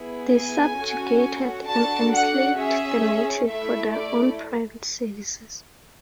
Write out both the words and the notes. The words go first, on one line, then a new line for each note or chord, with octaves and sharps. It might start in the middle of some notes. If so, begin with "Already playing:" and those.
They subjugated and enslaved the natives for their own private services.
Already playing: B3 E4 G#4
G#5
C#4 F#4 A4
D4 F#4 A4 A5
F#5
C#4 G#4 E5
A3 E4 A4 E5
D5